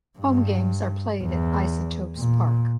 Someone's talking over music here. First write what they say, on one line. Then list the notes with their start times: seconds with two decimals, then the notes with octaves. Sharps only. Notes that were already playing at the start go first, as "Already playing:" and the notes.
Home games are played at Isotopes Park.
0.19 G2
1.22 E2
2.17 A#2